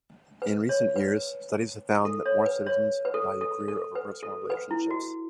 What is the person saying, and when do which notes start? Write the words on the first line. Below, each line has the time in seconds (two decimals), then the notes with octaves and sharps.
In recent years, studies have found that more citizens value career over personal relationships.
0.42 B4
0.69 C#5
0.96 B4
2.05 A4
2.26 C#5
2.46 B4
2.67 C#5
3.05 B4
3.14 A4
3.41 A4
3.68 A4
3.95 B4
4.23 A4
4.50 B4
4.71 E4
4.91 F#4